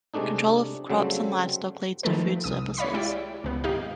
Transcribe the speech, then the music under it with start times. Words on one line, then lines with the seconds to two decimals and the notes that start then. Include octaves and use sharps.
Control of crops and livestock leads to food surpluses.
0.14 C3 G#3 A3 D4 D#4
0.89 C#3 F#3 G3 A3 C4
2.03 D#3 F3 G#3 A3 A4 B4
2.44 C2 D#6
2.77 C#5 D5 F5 B5 B6
2.94 G#3 E4 G4 D5
3.44 C#2 B3
3.64 G#1 D#4 G4 D#5 F5